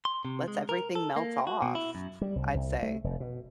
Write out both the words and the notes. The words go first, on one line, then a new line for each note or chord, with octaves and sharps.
lets everything melt off, I'd say.
C6
C3
G#3
A#4
A4
A#3
F#4
B2
E4
F#2
G3
C2
C2
A3
F1
B2